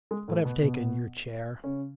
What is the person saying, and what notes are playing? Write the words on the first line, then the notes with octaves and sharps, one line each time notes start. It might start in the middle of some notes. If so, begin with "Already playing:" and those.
But I've taken your chair.'
G#3
A2 A3
B2 B3
B2 B3
C#3 C#4